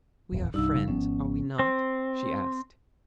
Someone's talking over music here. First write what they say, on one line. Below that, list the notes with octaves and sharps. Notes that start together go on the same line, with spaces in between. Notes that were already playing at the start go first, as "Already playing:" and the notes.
"We are friends; are we not?" she asked.
D#1 A1 F2
C2 G2 D#4 E6
G1 C#3 G3
G#1 F3 B3 C#4
C4